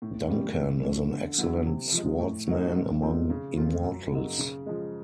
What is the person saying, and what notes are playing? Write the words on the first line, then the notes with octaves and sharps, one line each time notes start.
Duncan is an excellent swordsman among Immortals.
A2
E3 G3 A#3 C#4
A2
F3 A3 C#4
D3
F#3 B3 E4
C3
F3 G#3
A2
F#3 A#3 D#4
G#2
F3 A3 C4 D#4
C#3
F3 A3 C4 F4
F#2
C#3 F#3 A#3 D#4
C#3
F3 G#3